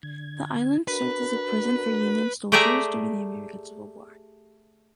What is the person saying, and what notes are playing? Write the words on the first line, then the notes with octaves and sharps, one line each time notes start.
The island served as a prison for Union soldiers during the American Civil War.
D3 G#6
D4 F#4 A#4 B4
A3 G4 G#4 D5 E5 A#5